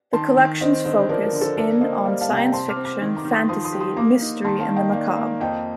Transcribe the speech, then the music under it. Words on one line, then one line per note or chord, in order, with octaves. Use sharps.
The collection's focus in on science fiction, fantasy, mystery and the macabre.
D#3 A5 C6
D#3
C4 C5 D#5
D3 C5 D#5
F3 A#4 D5
A#4
D3
A4 C5
A4 A#4 D5
A#3 C5 D#5
G3 D5 F5
F5 A5
C3
G5 A#5
C4 A5 C6
D6 F6
C4
D6 F6
D#3
A#5 D6
D#3
C6 D#6
F3 C6 D#6
C6 D#6
G4
C6 D#6
A#3 A#5 D6
D#4
D#3 A5 C6
F5 A5
D#3
D#5 G5
A#3 D5 F5
A#3
F2 D#5 G5